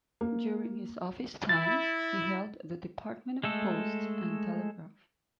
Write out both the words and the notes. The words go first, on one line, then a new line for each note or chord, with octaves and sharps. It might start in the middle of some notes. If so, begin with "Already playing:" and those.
During his office time he held the Department of Posts and Telegraph.
A#3
E4 A6
G#3 A3 A4